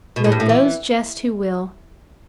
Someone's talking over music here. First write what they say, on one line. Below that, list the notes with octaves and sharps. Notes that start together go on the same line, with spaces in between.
Let those jest who will.
B2
A2
G2
A2
E3